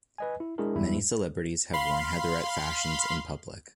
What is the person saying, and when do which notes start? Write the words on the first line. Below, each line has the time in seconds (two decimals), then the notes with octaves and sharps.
Many celebrities have worn Heatherette fashions in public.
0.18 B4 D#5 G#5
0.40 E4
0.58 G#3 D4 E4 G#4 A#4
0.76 E2 G2 G3 E4
1.73 F5 B5 C6